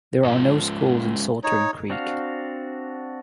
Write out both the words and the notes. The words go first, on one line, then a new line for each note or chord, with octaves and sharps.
There are no schools in Saltern Creek.
G#2 F3
D#4 C#5
C4 D4 F#4 F5